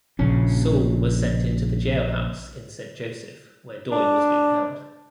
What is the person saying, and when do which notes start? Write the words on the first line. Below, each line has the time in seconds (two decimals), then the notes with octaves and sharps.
Soule was sent into the jailhouse in Saint Joseph where Doy was being held.
0.19 A#1 C#3 C#4
3.92 D4